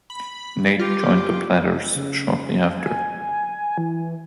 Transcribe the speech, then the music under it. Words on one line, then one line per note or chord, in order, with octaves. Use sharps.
Nate joined The Platters shortly after.
B5
F4 G4
C#3
G#5
E3